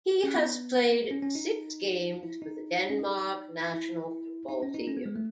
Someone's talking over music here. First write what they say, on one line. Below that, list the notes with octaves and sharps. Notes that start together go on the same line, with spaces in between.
He has played six games for the Denmark national football team.
C#4
B3
C#4
C#4
D#4
E4
D#4
C#4
D#4
E4
D#4
C#4
D#4
C#4
B3
G#3
A3